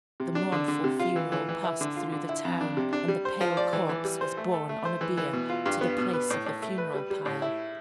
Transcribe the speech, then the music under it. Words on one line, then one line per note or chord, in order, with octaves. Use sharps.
The mournful funeral passed through the town, and the pale corpse was borne on a bier to the place of the funeral pile.
C3
D4
D3
D3
C3
F4
E3
E3
E3
E4
D3
F4
D3
E4
F2
D4
C3
D4
G3
C5
F3
D5
E3
E3
G3
C5
A3
A4
A3
C5
E3
E3
B2
F4
G2
B3
B2
B4
A2
A2
A3
B4
G3
G3
A2
E4